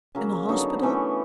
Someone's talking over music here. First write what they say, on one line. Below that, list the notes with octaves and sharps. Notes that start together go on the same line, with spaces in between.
"In a hospital?"
C#3 F#3 A#3 F5
D3 F#3 B3 D#4
E3 A3 C#4